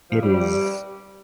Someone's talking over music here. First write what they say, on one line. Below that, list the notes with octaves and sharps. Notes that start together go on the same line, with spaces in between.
It is.
F3
G3
G3